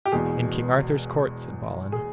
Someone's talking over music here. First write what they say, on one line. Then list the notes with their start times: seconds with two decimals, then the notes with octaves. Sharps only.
In King Arthur's court, said Balin.
0.06 G4
0.12 E1 E2 B2 G#4
1.92 G#4